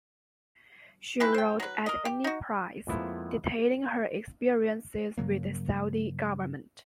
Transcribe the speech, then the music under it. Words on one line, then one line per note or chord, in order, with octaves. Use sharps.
She wrote "At Any Price", detailing her experiences with the Saudi government.
D#3 G#3 E4 B4
C5 G5
F#3 B4
A#4 D#5
G4
D#4 F#4
F2 F3 G#3 A#3 B3 E4
G2 C#3 F#3 A#3